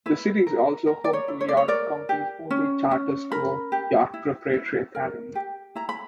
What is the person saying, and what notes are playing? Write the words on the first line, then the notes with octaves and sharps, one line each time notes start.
The city is also home to York County's only Charter school, York Preparatory Academy.
E4 B4
A#4
A#4
D5
C#5
E4
C#5
D5
C#5
A#4 D5
G4
C#4
C#4
A#4 B5
G4
E4
E4
A#4
G4
E4 A#5
B5